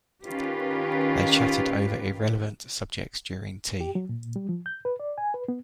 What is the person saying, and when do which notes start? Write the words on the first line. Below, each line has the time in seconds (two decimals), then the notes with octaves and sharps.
They chattered over irrelevant subjects during tea.
0.25 D#3 C#4 F4 G4 B4
3.80 G4
3.95 F#3
4.09 A#2
4.36 G3
4.49 F3
4.66 G6
4.85 B4
5.00 D5
5.18 G#5
5.34 B4
5.48 B3